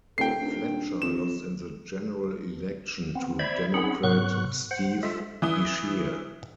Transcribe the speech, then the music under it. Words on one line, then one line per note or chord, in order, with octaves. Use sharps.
Fletcher lost in the general election to Democrat Steve Beshear.
D#1 A4 G5 C7
D#1 D4
F2 E7
B3 C4
C5 D5 E5 B5 G#6
C4 C#4 D#4 G#4 F#5 B5
G#2 C3 F#3 B3 C#6 F#6
C5 F#5
G#3 F4 A4 E5
E3 E4 D#6